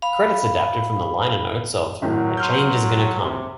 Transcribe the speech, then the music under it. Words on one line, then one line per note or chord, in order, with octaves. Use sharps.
Credits adapted from the liner notes of "A Change Is Gonna Come".
F5 B5
G#1 A2 F#3
C6 F6 G6
C3